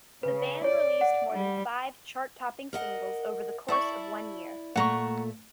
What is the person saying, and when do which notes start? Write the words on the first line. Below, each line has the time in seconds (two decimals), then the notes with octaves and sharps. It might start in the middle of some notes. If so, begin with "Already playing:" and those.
The band released more than five chart-topping singles over the course of one year.
0.23 C#3 B4
0.64 C#5 D5
1.01 F#5
1.33 G3
2.73 A#4 D#5 F#5
3.68 E4 A4 D5 C#6
4.76 A#2 A3 F#5 A#5 C#6